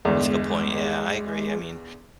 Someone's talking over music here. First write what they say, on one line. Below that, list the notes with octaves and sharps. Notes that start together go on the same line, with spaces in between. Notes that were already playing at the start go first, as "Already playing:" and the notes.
That's a good point, yeah, I agree. I mean
G1 E2 G#3